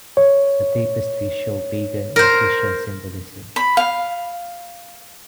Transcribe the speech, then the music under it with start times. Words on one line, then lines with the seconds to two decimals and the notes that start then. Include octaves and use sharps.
The tapestries show pagan and Christian symbolism.
0.17 C#5
2.16 A#4 C5
3.56 B5
3.77 F5